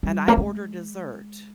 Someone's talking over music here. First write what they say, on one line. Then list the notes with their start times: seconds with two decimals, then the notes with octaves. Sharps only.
and I order dessert
0.03 G3
0.28 A#3
0.37 G#3